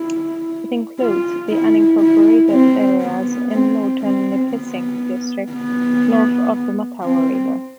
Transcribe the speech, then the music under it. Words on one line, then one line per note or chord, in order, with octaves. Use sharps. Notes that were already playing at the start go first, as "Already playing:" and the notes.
It includes the unincorporated areas in northern Nipissing District north of the Mattawa River.
Already playing: E4
F4
E4
E4
C4
B3
C4
C4
B3
B3
C4